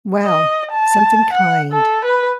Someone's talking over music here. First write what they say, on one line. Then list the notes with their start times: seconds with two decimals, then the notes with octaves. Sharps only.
Well, something kind?
0.25 D#5
0.73 A5
1.33 F#5
1.73 A4
2.05 B4